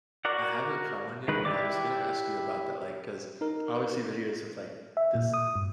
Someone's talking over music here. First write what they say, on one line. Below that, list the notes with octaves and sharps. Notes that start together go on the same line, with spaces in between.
I haven't found one yet, but I was gonna ask you about that, like, 'cause I always see videos of, like, this
F#4 A#4 D5 F#5
D#3 G#3 B4
E4 G4 D5 D6
D#4 A#4
E5
A#2
D#6
G2